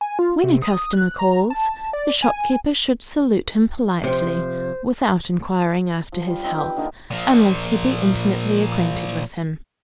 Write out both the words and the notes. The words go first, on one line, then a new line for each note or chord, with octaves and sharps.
When a customer calls, the shopkeeper should salute him politely, without inquiring after his health, unless he be intimately acquainted with him.
G#5
F4
C3
D#6
F#6
A#5
A5
D5
G#5
C3 F3 C5
F3
G3 F4
C4 D#4 G4
B4 G5
D3 A#3 D#4
A#2 F3